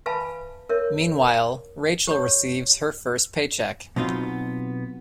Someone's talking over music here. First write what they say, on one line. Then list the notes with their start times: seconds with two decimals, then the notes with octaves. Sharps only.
Meanwhile, Rachel receives her first paycheck.
0.06 B4 E5 F5 G#5 A5 B5
0.69 A#4 C#5 E5
2.07 G4 C#5
3.96 B2 F#3 B3 C4 D#4 F4